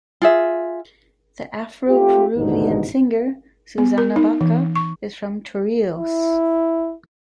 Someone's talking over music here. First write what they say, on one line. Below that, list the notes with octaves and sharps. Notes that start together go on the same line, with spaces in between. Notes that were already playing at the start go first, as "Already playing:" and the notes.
The Afro-Peruvian singer Susana Baca is from Chorrillos.
F4 G#4 E5
A3 C4 F4 G4
A1 D#2 G#2 B2 D3 D#4
B3
A#4
D#4
E3
C#6
E4